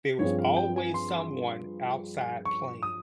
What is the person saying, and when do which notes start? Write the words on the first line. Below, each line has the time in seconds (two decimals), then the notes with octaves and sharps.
there was always someone outside playing.
0.19 G2 F3 C4 F4 G#4 C#5
0.39 F5
0.57 G5
0.76 G#5
0.94 C6
2.45 C#6
2.83 D#6